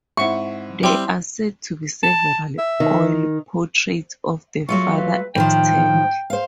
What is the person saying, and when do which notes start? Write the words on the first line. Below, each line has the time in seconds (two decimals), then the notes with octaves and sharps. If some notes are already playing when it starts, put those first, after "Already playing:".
There are said to be several oil portraits of the father extant.
0.17 G#2 C4 E4 E5 F#5 C#6
0.83 G3 C4 E4 G5 C6
2.03 A5
2.58 E5
2.80 D#3
4.69 F#3 A3 F4 C#6
4.97 B4
5.35 A2 D#3 F3 G5
6.30 C5 F5